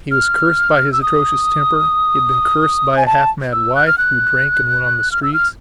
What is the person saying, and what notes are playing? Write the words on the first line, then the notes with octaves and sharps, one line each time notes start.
He was cursed by his atrocious temper; he had been cursed by a half-mad wife, who drank and went on the streets.
F6
E6
D#6
G#5
A5
E6
F#6
F6
F#6
F6
E6
F6